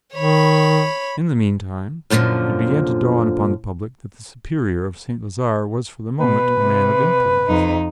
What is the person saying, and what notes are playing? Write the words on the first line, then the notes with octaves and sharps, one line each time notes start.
In the meantime it began to dawn upon the public that the Superior of St. Lazare was for the moment a man of influence.
D#3 C#5 B5
F#2 A#2 D3 E3 F3
B2 B4
C3
F2 D#4